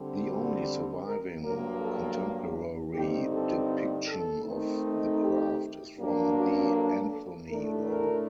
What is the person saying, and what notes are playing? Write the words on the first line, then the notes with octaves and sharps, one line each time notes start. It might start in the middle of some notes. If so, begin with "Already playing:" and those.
The only surviving contemporary depiction of the craft is from the Anthony Roll.
Already playing: D3 G3 C4
F#4
A#4
G2 F#3 A#3 A#4
A4
G2 D3 G3 C4 D#4 G4
A4
A4
D#3 A3 C4 D#4
G4
G2 F#3 A#3 D4
F#4
A4
A4
A2 A3 D4 A#4
A#4